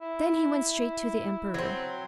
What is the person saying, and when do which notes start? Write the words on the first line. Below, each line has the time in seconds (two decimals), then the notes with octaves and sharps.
Then he went straight to the emperor.
0.01 E4
1.54 F#3 C4